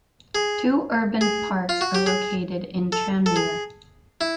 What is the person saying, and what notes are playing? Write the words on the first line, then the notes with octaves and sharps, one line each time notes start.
Two urban parks are located in Tranmere.
G#4
G#4
F4
F#4
G4
G#4
A4
A4
G#4
E4